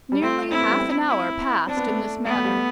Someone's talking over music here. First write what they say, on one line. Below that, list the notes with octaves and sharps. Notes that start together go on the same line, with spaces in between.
Nearly half an hour passed in this manner.
G3
A3 C4
C4 E4
B3
G3
C4
E4
C4 D4
B3
A3
A3 B3
A3
G3
A3